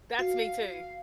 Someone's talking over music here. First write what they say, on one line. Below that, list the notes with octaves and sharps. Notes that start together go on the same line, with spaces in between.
That's me too.
F#4 F5